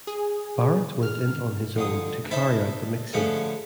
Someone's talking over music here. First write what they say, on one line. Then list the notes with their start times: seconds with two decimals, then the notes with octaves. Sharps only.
Barrett went in on his own to carry out the mixing.
0.07 G#4
1.03 F6
1.76 F2 D3 D#6
2.31 D4 D#4 C5 E5 A5 B5
3.13 D3 F3 G#3 A3 C#4 B4